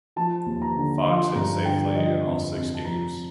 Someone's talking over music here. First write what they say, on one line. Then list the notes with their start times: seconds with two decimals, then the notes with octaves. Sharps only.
Fox hit safely in all six games.
0.16 F3 A5
0.46 D#2
0.62 A#5
0.76 D3
1.06 F3 C6
1.35 G2 A#5
1.65 D3 G5
1.86 D5
1.95 F3 D#5
2.25 F2
2.55 C3
2.75 A5
2.84 F3 A#5